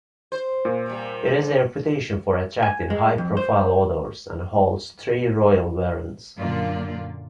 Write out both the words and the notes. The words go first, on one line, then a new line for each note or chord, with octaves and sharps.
It has a reputation for attracting high-profile authors and holds three Royal Warrants.
C5
A#2
C3 G3
G#5
G#3
F2
C5
F#2 A#2 D3 F4 D5